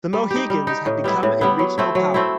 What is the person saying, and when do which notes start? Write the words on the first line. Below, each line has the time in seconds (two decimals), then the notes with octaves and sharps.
The Mohegans had become a regional power.
0.13 G3
0.31 D#4 G4
0.50 G3
0.67 D#4 G4
0.86 A2
1.04 G3 B3 E4
1.23 A2
1.41 G3 B3 E4
1.59 F#3
1.78 A3 C4 E4
1.95 F#3
2.14 A3 C4 E4